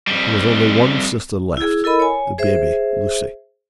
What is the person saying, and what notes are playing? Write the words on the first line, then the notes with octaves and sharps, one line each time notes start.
There was only one sister left, the baby, Lucy.
F2 G3
E4 G#4
E4 A4 A#4 D#5 B5
C#5 G#5
G#4 C5 E5